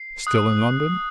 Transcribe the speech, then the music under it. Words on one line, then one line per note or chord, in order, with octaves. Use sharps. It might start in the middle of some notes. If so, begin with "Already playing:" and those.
"Still in London?"
Already playing: C7
D#6 F#6